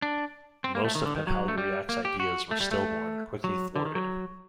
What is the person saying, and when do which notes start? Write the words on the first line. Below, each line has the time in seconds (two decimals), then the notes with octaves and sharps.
Most of Penhalluriack's ideas were stillborn or quickly thwarted.
0.02 D4
0.64 C4
0.75 A#3
0.84 A3
0.95 D#3
1.06 D3
1.16 D#3
1.27 F#3
1.48 A3
1.58 G3
1.89 A#3
2.05 G4
2.20 F#4
2.51 A3
2.61 G3
2.71 A3
3.44 F#3
3.76 D3
3.85 D#3
3.95 F#3